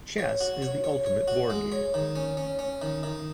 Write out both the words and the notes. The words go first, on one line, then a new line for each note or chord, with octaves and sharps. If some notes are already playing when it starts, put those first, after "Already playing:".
Chess is the ultimate board game.
C#5
F#4
C#5
C#5
C#5
F#4
G#3
C#5
D#3
C#4
C#4
C#4
D#3
D#3